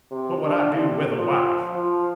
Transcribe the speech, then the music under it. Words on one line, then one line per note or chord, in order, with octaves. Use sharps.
What would I do with a wife?
C3
D4
C3
F3
F3